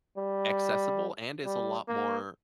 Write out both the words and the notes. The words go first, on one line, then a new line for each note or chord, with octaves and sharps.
accessible and is a lot more
G3
G3
A#3